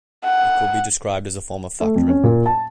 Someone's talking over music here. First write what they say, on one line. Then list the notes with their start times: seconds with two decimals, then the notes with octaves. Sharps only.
It could be described as a form of factoring.
0.24 F#5
1.80 A3
1.95 F2
2.09 C#4
2.23 A#2
2.46 A5